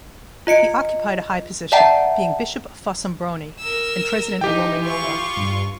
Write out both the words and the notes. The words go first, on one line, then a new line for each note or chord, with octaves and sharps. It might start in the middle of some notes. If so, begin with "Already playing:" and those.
He occupied a high position, being bishop of Fossombrone and president of Romagnola.
F4 D#5 C#7 D7
D5 E5 F#5 G5 A5 A#5
A#4 E6
E3 D#4 G4 G5
F4 C#6
G2